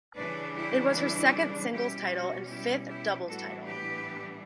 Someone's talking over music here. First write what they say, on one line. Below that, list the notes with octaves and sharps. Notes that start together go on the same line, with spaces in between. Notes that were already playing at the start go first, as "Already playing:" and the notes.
It was her second singles title and fifth doubles title.
C#3 E3 G3 D4 B4 D5
E4 G4
E4
B2 G3 C#4 E4 G4
F#4
E4 G4
E4 G4
A2 E3 G3 B3 D4 F#4 A4
G4 B4